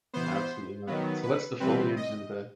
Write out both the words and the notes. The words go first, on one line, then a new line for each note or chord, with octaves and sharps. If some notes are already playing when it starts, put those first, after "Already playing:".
Absolutely not. So, what's the foliage and the
E3 B3 C5
D#3 F#3 B3
B4
C3 E3 G3 C4 B4
D#5